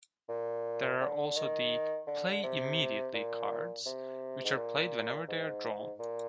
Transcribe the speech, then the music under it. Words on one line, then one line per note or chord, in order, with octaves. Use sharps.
There are also the "Play Immediately" cards, which are played whenever they are drawn.
A#2
D3
D#3
D3
C3
A#2
C3
G#2
A#2
G#2
A#2